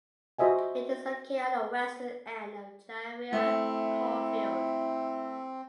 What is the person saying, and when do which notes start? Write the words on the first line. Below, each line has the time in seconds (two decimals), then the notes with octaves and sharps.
It is located on the western end of Jharia Coalfield.
0.39 F#4 C5 D#5 E5 G#5
3.33 A3 C4 E4